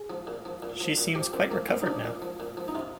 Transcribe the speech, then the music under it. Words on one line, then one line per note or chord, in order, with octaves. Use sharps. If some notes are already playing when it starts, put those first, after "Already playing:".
She seems quite recovered now.
Already playing: G#4
F3
A#2
F3
A#2
F3
A#2
F3 G4
A#2 C4
F3 A#3
A#2 C4
D#4
F3 D4
A#2
F3
A#2
F3
D#4
C3 F4